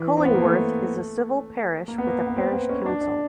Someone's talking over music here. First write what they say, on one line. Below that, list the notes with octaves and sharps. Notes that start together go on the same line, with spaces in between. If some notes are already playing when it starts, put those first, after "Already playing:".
Cullingworth is a civil parish with a parish council.
Already playing: E3
C4
B3
A#3
A3
A#3
B3
A#3
B3
C4
B3
C#4
D4
D4